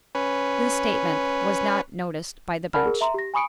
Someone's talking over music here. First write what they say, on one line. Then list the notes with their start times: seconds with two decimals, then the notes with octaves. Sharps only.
This statement was not noticed by the bench.
0.15 C#4 B4
2.74 A#4 D5 F#5 A5 B5 F6
2.86 G#4 A#4
3.01 E5 A#5 C6
3.14 G4 A#6
3.34 G#5 B5 C#6 D#6 C#7 D7